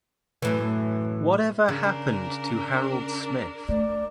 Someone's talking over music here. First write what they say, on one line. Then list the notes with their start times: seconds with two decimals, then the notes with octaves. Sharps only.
Whatever Happened to Harold Smith?
0.42 F#2 A2 E3
1.68 C#3 D4 A#4
3.69 A3 D5